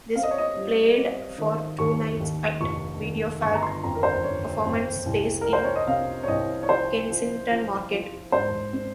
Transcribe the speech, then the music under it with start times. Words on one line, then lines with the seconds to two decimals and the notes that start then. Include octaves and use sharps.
This played for two nights at Videofag performance space in Kensington Market.
0.15 C4 F5
0.23 D#5
0.31 C#5
0.38 D#5
0.57 G3
0.97 C4
1.38 D#3
1.79 D#2 C#6
2.20 D#2
2.61 F1 C#6
3.01 D#3
3.42 G1 C#6
3.55 A#5
3.63 C6
3.83 F2 A#5
3.95 A#4
4.03 C5
4.24 G1 C#5
4.65 F2
5.06 C2
5.41 A#4
5.47 F3
5.53 C5
5.64 C#5
5.76 D#5
5.87 C3 F5
6.23 C#5
6.28 C2 D#5
6.63 C#5
6.69 F3 C5
7.10 F3
7.50 F3
7.91 F3
8.32 G#2 C5
8.73 C4